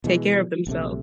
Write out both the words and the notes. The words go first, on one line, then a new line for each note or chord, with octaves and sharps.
take care of themselves.
B2 E3 G#3
A#1 C3 A3